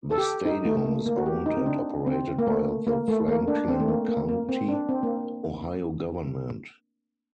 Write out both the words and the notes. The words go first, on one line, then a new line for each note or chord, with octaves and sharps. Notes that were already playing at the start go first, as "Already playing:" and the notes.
The stadium is owned and operated by the Franklin County, Ohio government.
A4
G4
D#4
A3
A3
A#3
A#3
F#4
G4
D#4
C4
D4
C4
A#3
A3
A#3
A3
A#3
D4
C4
A3
A#3
A#3
A#3
C4
D4
C4
A#3